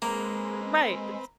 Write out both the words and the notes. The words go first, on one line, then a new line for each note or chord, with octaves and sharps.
Right, it's
G#3 A#3 C4 B4 A#5